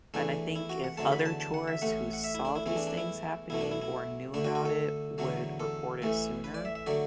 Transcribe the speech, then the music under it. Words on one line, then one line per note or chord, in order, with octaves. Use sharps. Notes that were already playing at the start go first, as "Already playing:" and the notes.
and I think if other tourists, who saw these things happening or knew about would report it sooner,
E2 E3 A3 D4
E4
F#4
F#5
E2 D3 F#3 A3 A5
B5
A5
A5
F#5
E5
A1 A2 A3 F#5
F#5
E5
E4
D4
E4
E2 E3 A3 E4
D4
D4
E4
B1 B2 A3 E4
D4
E4
E4
D2 D3 A3 D4
F#4
F#4
A4
E2 D3 F#3 A3
A4
A1 A2 E3 A3
B4
D5
E5
E5
D3 F#3 A3 D5